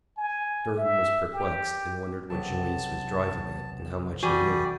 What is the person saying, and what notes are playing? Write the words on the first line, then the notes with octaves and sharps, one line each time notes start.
Durham was perplexed, and wondered what Julius was driving at, and how much he knew.
G#5
E5
G4
B1 C3 F#3 A5
E3 G3 F#4 G4 D5 G#5